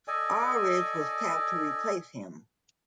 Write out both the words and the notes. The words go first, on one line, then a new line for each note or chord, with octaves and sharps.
Aldridge was tapped to replace him.
A4 D5 D#5 G#5